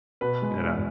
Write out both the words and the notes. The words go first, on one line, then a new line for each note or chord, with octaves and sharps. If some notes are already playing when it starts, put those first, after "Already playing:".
you know?
B2 B4
G#3
E2